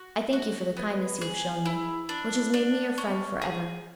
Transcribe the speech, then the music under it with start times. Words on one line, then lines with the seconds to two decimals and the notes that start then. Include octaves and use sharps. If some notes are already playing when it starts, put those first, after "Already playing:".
I thank you for the kindness you have shown me, which has made me your friend for ever.
Already playing: F#4
0.33 F#4
0.77 B3
1.21 G#4
1.65 E4
2.09 D4
2.54 D4
2.98 C#4
3.42 G#4